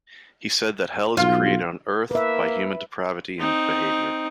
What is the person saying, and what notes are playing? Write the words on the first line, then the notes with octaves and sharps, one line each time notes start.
He said that hell is created on earth by human depravity and behavior.
B1 F4
A#3 B4 E5
C4 D#4